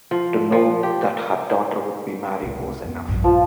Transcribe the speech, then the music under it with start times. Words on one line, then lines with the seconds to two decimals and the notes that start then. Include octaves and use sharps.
To know that her daughter would be married was enough.
0.11 F3
0.52 F3
0.83 G4
2.43 C#2 C3
2.85 F2 B3
3.08 A#1 G2
3.24 F1 F3